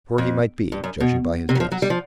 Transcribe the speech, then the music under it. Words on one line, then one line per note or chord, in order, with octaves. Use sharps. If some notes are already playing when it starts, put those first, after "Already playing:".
Poor he might be, judging by his dress.
F2
G2
F#2
B2
C3
F#3
F3
F#3
G3
F3